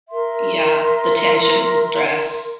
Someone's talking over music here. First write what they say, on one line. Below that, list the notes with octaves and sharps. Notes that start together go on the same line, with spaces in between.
Yeah, the tension and the stress.
A#4 E5 C6